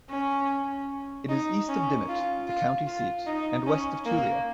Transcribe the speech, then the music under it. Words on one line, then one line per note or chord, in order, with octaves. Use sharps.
It is east of Dimmitt, the county seat, and west of Tulia.
C#4
D#4
C#4
F4
F4
F4
D#4
C#4
A#3